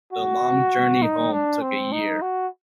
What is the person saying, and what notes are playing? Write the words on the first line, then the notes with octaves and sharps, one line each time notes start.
The long journey home took a year.
F#4
D#4
D4
C4
D#4
F#4